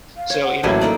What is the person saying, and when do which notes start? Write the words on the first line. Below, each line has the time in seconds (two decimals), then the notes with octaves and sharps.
So, you know
0.17 F5
0.30 C5 C#5
0.44 F#5
0.63 A1 F#3 A3 A#3 E4 B4
0.81 A#3 D#4 A4 D5